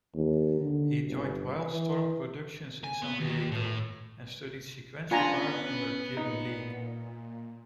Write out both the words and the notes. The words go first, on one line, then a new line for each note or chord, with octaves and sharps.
He joined Wildstorm Productions in San Diego and studied sequential art under Jim Lee.
D#2
D3
G1
E3
G#5
B3
D#2
A2
B3 C#4 D4 F4 B4 G#5 A#5
A#2 D#4